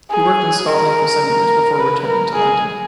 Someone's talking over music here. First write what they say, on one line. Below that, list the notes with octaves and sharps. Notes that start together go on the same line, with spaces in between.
He worked in Scotland for some years before returning to London.
G#4
A#4
B4
A#4
G#4